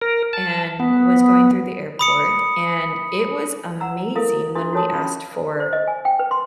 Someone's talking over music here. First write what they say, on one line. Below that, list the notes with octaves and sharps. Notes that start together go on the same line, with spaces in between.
and was going through the airport, and it was amazing when we asked for
A#4
A5
B3
B5 D#6 C#7
F#5 A#5 E6
E4 A4 A#4 F5 D#6
D4 E4 F4 G#4 C6 D#6
F#4 A4 C#5 A5 D#6
C#4 F5 B5
C5
D#5
G#5
G5
B4
C6